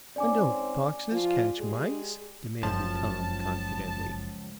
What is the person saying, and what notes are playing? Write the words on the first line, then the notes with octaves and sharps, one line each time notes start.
"And don't foxes catch mice?" demanded Tom, confidently.
G#2 C4 C#4 D5 G#5 D6
F3 F4
G#3 G4 G#4
F#1 C#2 F3 A5